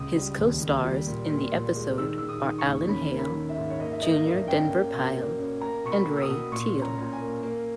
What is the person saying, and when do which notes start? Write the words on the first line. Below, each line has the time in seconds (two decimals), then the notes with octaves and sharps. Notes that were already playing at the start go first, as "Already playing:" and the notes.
His co-stars in the episode are Alan Hale, Junior Denver Pyle, and Ray Teal.
Already playing: C#2 D#6
0.16 G3
0.39 D#2
0.61 D#2
0.84 G3
1.07 A#2
1.30 A#2
1.53 A#2
1.75 G#3
1.98 D#3 E6
2.18 D#3 E6
2.29 D#6
2.43 D#3
2.58 C#6
2.66 D#2
2.89 C#4 B5
3.11 A#3
3.19 B5
3.34 D#3
3.49 E5
3.57 G#2
3.70 C#5
3.80 A#3 D#5
3.92 E5
4.02 A#3 D#5
4.25 G2 E5
4.48 C#4 G5
4.70 A#3
4.93 B2
5.16 A#3
5.39 C#4
5.61 A#3 A#5
5.84 B2 C#6
5.91 B5
6.07 A#3
6.17 E6
6.22 D#6
6.29 B2
6.52 A#2 C#6
6.75 C#4
6.82 A#5
6.98 A#2 A#5
7.13 G#5
7.20 A#3
7.43 A#3